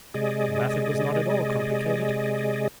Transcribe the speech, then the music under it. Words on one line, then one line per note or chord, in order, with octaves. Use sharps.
The method was not at all complicated.
C3 G#3 G#4 D5 D#5